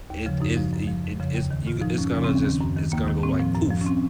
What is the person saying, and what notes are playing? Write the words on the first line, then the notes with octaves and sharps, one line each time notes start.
it it's y it it's you g it's gonna just it's gonna go like "Poof."
D#2
C#3 F3
F#2 D#4
F3
F#2
F3
F2
C#3 F3
D#2
D#3
A2 F4
F3 D#4
F#2 C#4
C#3 F3
C4
D#2 C#4
D#3
F#2
D#3
D#2 A#3
D#3
A2 C4
F3
F#2
F3
C#4
C4